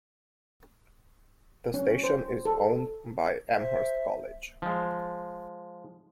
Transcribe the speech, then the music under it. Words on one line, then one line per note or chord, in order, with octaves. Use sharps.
The station is owned by Amherst College.
C#4
C5
A4
C5 E5
F3 G#3